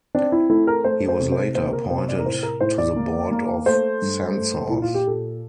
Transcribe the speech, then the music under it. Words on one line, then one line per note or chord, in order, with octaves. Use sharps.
He was later appointed to the Board of Censors.
C4 D4
E4
A3 E4
A#4
A3 C5
C5
C3
C5
A#3 C5
A#4
C3 C5
D5
A#4
A2 C5
A#4
A2 C5
D5
A#3
A#3
A3 C5
G2
A3
A#2 E4
F4
G4
A#2 A4